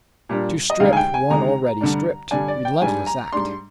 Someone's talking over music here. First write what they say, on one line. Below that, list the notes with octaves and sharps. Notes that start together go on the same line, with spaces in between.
To strip one already stripped--relentless act!
A#2 G3 D4
D#5
D#2 D3 G#3 D#4 F5
G#5
G5
G#5
D#2 D3 G#3 D#4 A#5
G2 D3 G3 D4
G2 D3 G3 D4 G#5
D5
G5
G#2 G3 D4 G#5
A#5
G#2 G3 D4 C6